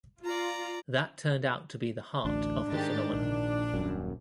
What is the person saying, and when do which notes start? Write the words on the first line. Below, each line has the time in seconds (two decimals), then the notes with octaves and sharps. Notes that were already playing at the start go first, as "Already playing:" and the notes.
That turned out to be the heart of the phenomenon.
0.24 F4 D5 A#5
2.25 A1 D2 D4
2.72 G#2 D#3 G4 A6
3.11 A#1
3.74 D#1 G#1 F#2